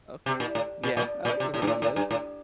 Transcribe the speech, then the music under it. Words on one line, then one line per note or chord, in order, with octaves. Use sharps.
Okay. Yeah, I like those ideas.
C3
A#2
A2
A#2
A#2
A#2
C3
A2
G2
A2
A2
G2
A2